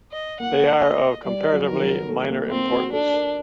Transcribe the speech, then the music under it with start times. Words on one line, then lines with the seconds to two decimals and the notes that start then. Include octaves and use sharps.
They are of comparatively minor importance.
0.12 D#5
0.40 A#3 F#5
0.83 D#5
1.24 G3 D5
1.53 F#3
1.66 D#3 A#4
1.80 F#3
2.09 A3
2.30 A#3
2.50 A#3 C4
2.72 F#4
2.93 D4 A4
3.14 A#4